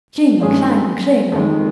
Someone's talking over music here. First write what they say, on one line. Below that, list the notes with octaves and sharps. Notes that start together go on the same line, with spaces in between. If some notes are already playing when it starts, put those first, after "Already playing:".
Cling, clang, cling!
G2 D#3 G#3 C#4 G#4
F2 D#3 G#3